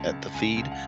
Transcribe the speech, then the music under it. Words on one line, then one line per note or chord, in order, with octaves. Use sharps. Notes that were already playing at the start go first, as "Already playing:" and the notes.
a at the feed,
Already playing: C#2 A5
C#2
C#2 G#5
C#2
F5
F#5